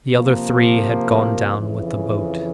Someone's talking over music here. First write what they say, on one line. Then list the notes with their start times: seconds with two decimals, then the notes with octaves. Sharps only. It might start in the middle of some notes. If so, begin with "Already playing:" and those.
The other three had gone down with the boat.
0.12 C3 F3 A#3
1.54 F2 C#3 E3